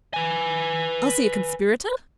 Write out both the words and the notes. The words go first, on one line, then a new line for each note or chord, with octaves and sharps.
Elsie a conspirator?
B4 G#5